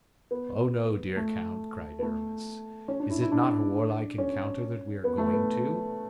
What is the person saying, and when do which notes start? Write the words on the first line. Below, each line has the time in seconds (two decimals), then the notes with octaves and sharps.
"Oh, no, dear count!" cried Aramis, "is it not a warlike encounter that we are going to?"
0.31 B3
1.17 A3
1.99 B3
2.03 A3
2.88 C#4
3.00 D4
3.10 E4
3.21 E4
3.32 D4
4.18 C#4
5.04 B3
5.18 A3
5.33 B3